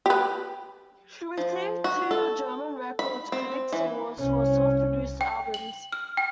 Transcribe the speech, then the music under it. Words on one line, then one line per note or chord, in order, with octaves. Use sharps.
She received two German Record Critics' awards for self-produced albums.
G4 B4
F3
F#4
A4
B5
C4
E3
C2 C#4
G5
F#7
F6
G5